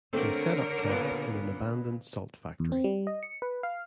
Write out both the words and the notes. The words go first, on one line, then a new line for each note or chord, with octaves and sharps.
They set up camp in an abandoned salt factory.
D3 A3 C4 A4 A#4 C#5
A#2 B3 B4
E2
C4
G3
D#5
C#7
B4
F5